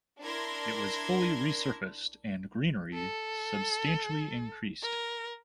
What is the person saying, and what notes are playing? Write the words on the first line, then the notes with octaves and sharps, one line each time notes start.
It was fully re-surfaced, and greenery substantially increased.
D4 E4 A#4 C6 G#6 A#6
A4
A#4